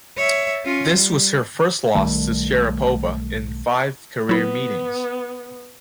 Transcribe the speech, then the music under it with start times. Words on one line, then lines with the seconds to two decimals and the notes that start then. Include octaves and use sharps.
This was her first loss to Sharapova in five career meetings.
0.17 C#5 E5
0.65 C#4 F4
0.93 G3
1.95 B1 D#3 G3 A3
4.29 F#3 B3 E4